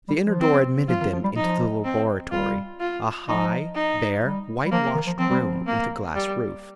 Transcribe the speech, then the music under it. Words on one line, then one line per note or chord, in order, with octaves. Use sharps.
The inner door admitted them into the laboratory, a high, bare, whitewashed room with a glass roof.
G3
F3
C4
F3 F4
D#3
F3
G3
F3 D#4
C4
G3 F4
F4
F3 D#4
D#4
G3
G3
F3 A#3
D#3
F3
F3 C4
G3
F3
A#3
G3